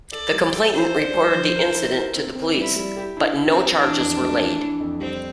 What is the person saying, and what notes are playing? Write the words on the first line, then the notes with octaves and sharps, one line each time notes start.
The complainant reported the incident to the police, but no charges were laid.
A4 D5
G3
A4
A4 C5
D4
G3
F3
A#4
E4
A#4
C4
C4
G3 E4
G3
G4
D4 E4
E4
C4
G4
E3 D4
F2
A3
E3
E3
F2
G3 C4